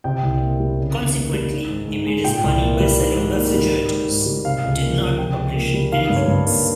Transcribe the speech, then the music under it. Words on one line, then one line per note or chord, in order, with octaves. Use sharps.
Consequently, he made his money by selling refrigerators, and did not publish any works.
C3 G5
C2
A#3
G3
C#3
D#2
A#3
G3
D#3
G#2
G#2
G#3
A#2 G5
C2
A#3
G3
D#3
G#2
A#3
G3
D#3
G#2
G#2
G3
C3 F5
C#2
A#3
F3
C3 G5
C#2
A#3
G3
D#3 F5
G2
C#5
G2
A#3